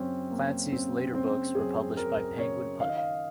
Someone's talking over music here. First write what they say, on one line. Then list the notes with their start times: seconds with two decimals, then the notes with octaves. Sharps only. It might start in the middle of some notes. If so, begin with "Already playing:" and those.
Clancy's later books were published by Penguin Putnam.
Already playing: F#2 C#3 C4 C#4
0.31 F#2 A#3
0.72 C#3 C4
1.14 C#3 C4
1.55 F#2 G#4
1.97 F#2 A#4
2.38 C#3 C#5
2.80 D#3 F5
2.89 D#5
2.97 F5